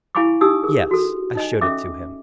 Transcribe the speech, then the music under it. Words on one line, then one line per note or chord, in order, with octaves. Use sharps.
"Yes; I showed it to him."
E4 F5 G#5 B5 C#6 D6
D#4 G4 G#5 D#6 E6
G#4 A#4
F#4 A4
D#4 D#5 G#5
C#4 A4 E5 D6